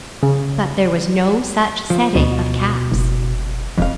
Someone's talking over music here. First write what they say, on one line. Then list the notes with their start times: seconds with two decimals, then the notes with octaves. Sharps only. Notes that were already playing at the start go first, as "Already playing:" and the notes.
But there was no such setting of caps.
0.23 C#3
1.90 F3
2.15 D2 B2
2.92 F#1
3.78 E1 F2 F5